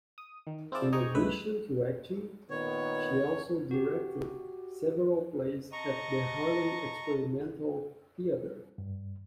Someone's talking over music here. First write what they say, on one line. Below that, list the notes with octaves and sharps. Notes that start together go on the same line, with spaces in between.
In addition to acting, she also directed several plays at the Harlem Experimental Theatre.
D#6
D#3
C4 E4 F4 G#4 D5 A5
D#4 G#4 G5 G#5 A#5 C#6
C#2 A2 G#3 B4 E5 B6
A#2 D#3 B3 C#5
F#4 G4
D#5 A5 A#5 C#6
G2